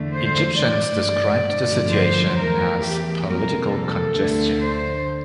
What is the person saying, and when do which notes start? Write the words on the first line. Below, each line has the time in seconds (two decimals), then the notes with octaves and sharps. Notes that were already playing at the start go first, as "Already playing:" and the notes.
Egyptians described the situation as "political congestion".
Already playing: E2 D3 A3
0.15 C5
0.59 G2 E3 A3 D5
1.48 G2 D3 F3 A3
1.93 C5
2.37 E2 E3 A3 A#4
2.82 G4
3.27 F2 C3 G3 A#3 A#4
3.72 A4
4.17 D2 D3 A3
4.61 C5